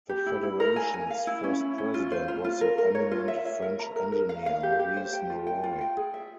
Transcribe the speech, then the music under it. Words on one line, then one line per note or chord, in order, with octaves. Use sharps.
The federation's first president was the eminent French engineer, Maurice Norroy.
G4
E4
E4
A#4
G#5
G#5
F5
E4
C#4
E4
C#4
F4
C5
F4
F4
A#4
A#4
C#5
F4
E5
E5
A#4
A#5
A#4
A#4
F5
F5
G4
G4
C5
G5
F4
G5
F4
G5
G#4
E5